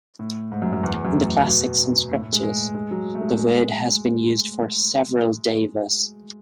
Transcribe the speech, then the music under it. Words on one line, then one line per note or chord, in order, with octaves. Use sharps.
In the classics and scriptures, the word has been used for several Devas.
A2
G#2
F#2
F#2
E2
E2
F#2
A2
B2
A2
A2
G#3
G#3
G#3
F#3
A3
G#3
A3
G#3